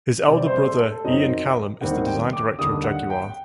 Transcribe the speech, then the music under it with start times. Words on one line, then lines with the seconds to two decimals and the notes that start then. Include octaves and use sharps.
His elder brother Ian Callum is the Design Director of Jaguar.
0.27 C3 G3 C4 D5
0.47 C5
0.66 A4
0.85 A4
1.04 F#2 F#3 C4 D#4 D#5
1.81 D#2 D#3 G3 C4 F#5
2.07 G5
2.33 D6
2.58 D#2 D3 G3 D4 D#6
2.84 F#5
3.10 G5